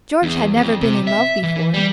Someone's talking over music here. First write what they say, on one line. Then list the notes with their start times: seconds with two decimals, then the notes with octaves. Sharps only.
George had never been in love before.
0.23 E2
0.57 F2
0.81 C3
1.07 E5
1.43 E3
1.74 G3